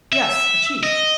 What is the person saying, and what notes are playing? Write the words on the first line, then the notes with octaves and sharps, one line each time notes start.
"Yes, a chief."
E5
D#5